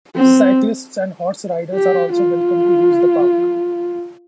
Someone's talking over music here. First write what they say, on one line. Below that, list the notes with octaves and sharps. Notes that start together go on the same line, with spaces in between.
Cyclists and horse riders are also welcome to use the park.
C4
G4
F4